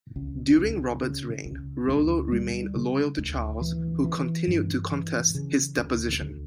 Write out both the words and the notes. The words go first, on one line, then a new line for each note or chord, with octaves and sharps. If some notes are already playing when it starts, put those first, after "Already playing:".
During Robert's reign, Rollo remained loyal to Charles, who continued to contest his deposition.
C#2
C#2
C#3
C#2
D2
G3
C#3
D2
E3
E3
G2
E3
C#3
D2
D2